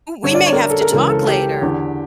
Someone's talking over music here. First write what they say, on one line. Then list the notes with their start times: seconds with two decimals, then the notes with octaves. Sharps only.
Ooh, we may have to talk later.
0.23 G2 D3 C#5
0.34 D5
0.46 C#5
0.53 A#4
0.58 C#5
0.70 A4
0.81 A#4
0.93 C#2 C#3 E3 A#4
1.09 A4
1.27 G4
1.62 E2 D3